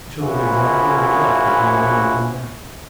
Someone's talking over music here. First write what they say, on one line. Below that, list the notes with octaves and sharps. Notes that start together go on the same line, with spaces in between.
He shall live exactly as he likes if he will only come back.
A#1 E3 F3 C#4 E4 F#4